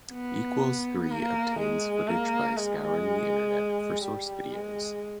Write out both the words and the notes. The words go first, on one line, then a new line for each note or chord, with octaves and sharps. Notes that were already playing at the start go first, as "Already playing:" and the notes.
Equals Three obtains footage by scouring the Internet for source videos.
B3
A#3
G#3
A#3
G#3
G3
G#3